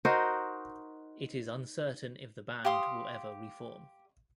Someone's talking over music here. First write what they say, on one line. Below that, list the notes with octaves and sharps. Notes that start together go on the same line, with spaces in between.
It is uncertain if the band will ever reform.
D#4 F#4 A#4 C5
G4 F5 C6 D#6